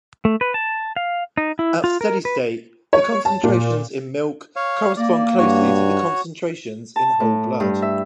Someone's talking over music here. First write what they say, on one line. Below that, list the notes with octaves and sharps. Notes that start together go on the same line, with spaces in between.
At steady-state, the concentrations in milk correspond closely to the concentrations in whole blood.
A3
B4
A5
F5
D#4
E4
F4
A#4
B4
C#5
A5
A#2
C#5 F5
A#3 D5
G2 F#4 C#5
A5
A2
G2
E5